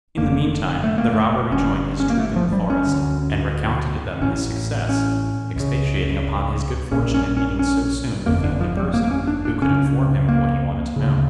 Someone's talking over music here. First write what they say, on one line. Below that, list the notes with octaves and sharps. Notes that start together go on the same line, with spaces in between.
In the meantime, the robber rejoined his troop in the forest, and recounted to them his success, expatiating upon his good fortune in meeting so soon with the only person who could inform him of what he wanted to know.
F1 F2 D3 A#3
A3
A#3
A3
G1 G2 D3 C#4
C#4
A#3
A3
F3
G3
C#4
D2 D3
A1 A2 C#4
C#4
C#2 C#3
A#1 A#2 C#4
C#4
C#4
C#4
G1 F2 D3 A#3
D3
F3
G3
A#3
A#3
C#4
D4
D4
C#2 C#3 C#4
A#3
D2 C#3